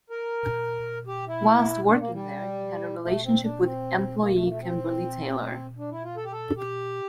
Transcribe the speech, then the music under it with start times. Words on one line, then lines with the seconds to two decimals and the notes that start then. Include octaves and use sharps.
Whilst working there, he had a relationship with employee Kimberley Taylor.
0.10 A#4
1.07 G4
1.28 E4
1.87 D4
1.99 A#3
2.12 G3
3.04 A3
3.23 C4
3.42 D4
3.62 C4
4.21 A#3
4.34 A3
4.43 A#3
4.47 A3
4.61 C4
5.78 D4
5.91 E4
6.04 F4
6.17 A4
6.24 G4
6.32 A4
6.57 G4